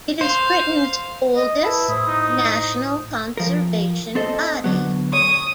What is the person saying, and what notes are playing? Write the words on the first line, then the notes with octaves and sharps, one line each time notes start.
It is Britain's oldest national conservation body.
C5 F5
D#5
E4 B4 A5 B5
A2 E4 C5 D#6
D#4
F3 A#4
C4 A4 D#5
D3 F#3 B3
C#5 D#6